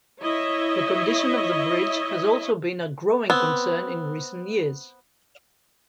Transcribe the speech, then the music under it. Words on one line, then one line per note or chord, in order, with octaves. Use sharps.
The condition of the bridge has also been a growing concern in recent years.
E4 C#5 D#5 E5
B3 C4